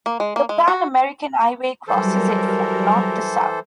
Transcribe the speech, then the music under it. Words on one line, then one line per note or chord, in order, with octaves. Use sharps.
The Pan-American Highway crosses it from North to South.
A#3
G#3
A#3
G#3
F#4
E3 F#3 G3 A4 A#4 C5